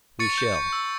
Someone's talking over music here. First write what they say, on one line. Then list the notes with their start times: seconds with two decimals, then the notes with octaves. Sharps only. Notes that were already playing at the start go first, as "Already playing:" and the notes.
We shall.
0.19 C#6 A6 C#7
0.38 G6
0.56 C#6
0.73 E6